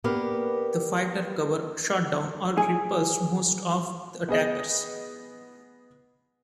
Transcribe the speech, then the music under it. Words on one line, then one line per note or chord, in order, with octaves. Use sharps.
The fighter cover shot down or repulsed most of the attackers.
A#3 B3 D4 G4 A#4 B4
G#4
B3 G#4 D#5